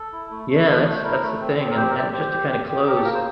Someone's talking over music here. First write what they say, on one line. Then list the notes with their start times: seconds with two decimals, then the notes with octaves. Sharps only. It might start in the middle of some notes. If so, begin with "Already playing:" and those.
Yeah, that's that's the thing, and and just to kinda close,
Already playing: A4
0.13 E4
0.31 A3
0.49 A3
0.68 A3
0.85 A3
0.95 C5
1.04 E4 A#4
1.22 A3
1.41 C4
1.59 C4
1.70 A#4
1.77 G4 C5
1.90 A#4
1.95 G4 E5
2.02 D5
2.13 G4 C5
2.32 G4
2.50 G4
2.69 G4
2.86 G4 A#4
2.96 A4
3.05 A#3 A#4
3.14 C5